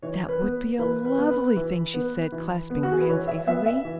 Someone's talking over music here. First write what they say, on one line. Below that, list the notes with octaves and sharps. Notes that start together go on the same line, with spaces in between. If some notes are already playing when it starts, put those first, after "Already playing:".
"That would be a lovely thing," she said, clasping her hands eagerly.
E3 C#5
B4
B3
E3 B4
B4
B3
B4
E3
B3
E3
B3
F#4
G#4
B4
E3 C#5
E5
B3 E5
E5
E3